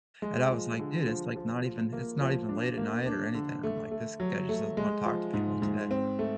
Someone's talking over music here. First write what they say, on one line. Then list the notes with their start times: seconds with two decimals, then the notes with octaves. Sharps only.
And I was like, dude, it's, like, not even it's not even late at night or anything, I'm like, "This guy just doesn't wanna talk to people today."
0.22 G#3
0.50 F3
0.79 D3
1.08 F3
1.36 F3
1.64 F3
1.93 A#3
2.21 F3
2.49 D4
2.77 A#3
3.06 D4
3.35 D3
3.63 A3
3.91 A3
4.20 F#3
4.49 A3
4.77 G#3
5.05 F3
5.34 G#2
5.62 G#2
5.91 C4
6.19 A3